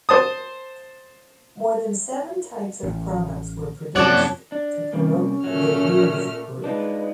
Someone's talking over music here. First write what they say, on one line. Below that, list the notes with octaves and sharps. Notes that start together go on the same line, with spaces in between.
More than seven types of products were produced to promote the Rouge group.
C5 A5 D#6
A1
F#2 C3 F3 C#5 D5 F#5 A5
D4
C3 G3 A#3 C#4
A#2 F#3 A3 F6
G#3 D4 D#4 F4 B4